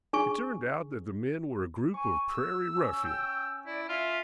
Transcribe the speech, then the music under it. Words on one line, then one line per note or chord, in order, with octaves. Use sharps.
It turned out that the men were a group of prairie ruffians.
D4 G#4 G#5 C#6
G#5 C#6
E6
C#4
G5
E4 D5
F4 E5